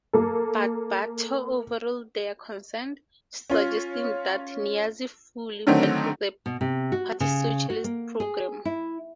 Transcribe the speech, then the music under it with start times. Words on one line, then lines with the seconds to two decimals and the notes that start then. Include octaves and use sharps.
But Bhutto overruled their concerns, suggesting that Niazi fully backed the party's socialist programme.
0.13 A#3 A4
3.50 C#4 F4
5.67 D3 D#3 F#3 A3 C4 D#4
6.46 B2
6.61 C3
6.92 F#4
7.20 C#3
7.70 F#4
7.84 A#3
8.20 G#4
8.65 E4